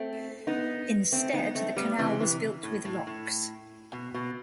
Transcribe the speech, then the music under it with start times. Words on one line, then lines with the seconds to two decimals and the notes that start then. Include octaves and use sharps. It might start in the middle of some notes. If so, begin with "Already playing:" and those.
Instead the canal was built with locks.
Already playing: A3 C4
0.47 B3 D#4
1.12 A3 C4
1.33 B3 D#4
1.55 A3 C4
1.77 G3 B3
1.99 C3 E3
2.20 C3 E3
2.63 A2
2.85 A2
3.07 A2
3.93 B2
4.14 B2